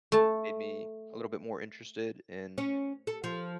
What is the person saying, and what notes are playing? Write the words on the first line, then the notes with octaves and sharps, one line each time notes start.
made me a little bit more interested in
A3 A5
C#4
A4
F3